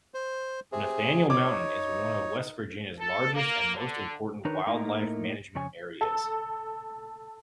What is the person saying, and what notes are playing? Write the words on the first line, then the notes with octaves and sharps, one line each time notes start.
Nathaniel Mountain is one of West Virginia's largest and most important wildlife management areas.
C5
C3 G#4
D#4 C#5 D6
A4
A#3
D3
D#3 D4 D#4 A#4 B4 C#5
A2 A3 A#3 D#4 A#4
F2 C#3 C#5 G#5
A4